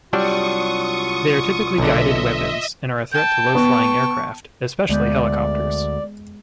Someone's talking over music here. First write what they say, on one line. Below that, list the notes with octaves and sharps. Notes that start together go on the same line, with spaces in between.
They are typically guided weapons and are a threat to low-flying aircraft, especially helicopters.
C2 F#3 G3 D4 F4 C#6 D#6
B1 D3 D#5 E5
G5 A5 G6
B3 C#6
D2 G#3 B3 D5 G6